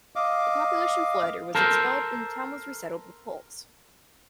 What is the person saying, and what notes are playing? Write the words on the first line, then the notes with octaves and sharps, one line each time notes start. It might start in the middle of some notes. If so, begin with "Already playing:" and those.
The population fled or was expelled and the town was resettled with Poles.
D#5 F5 D6
A4 A#4 C5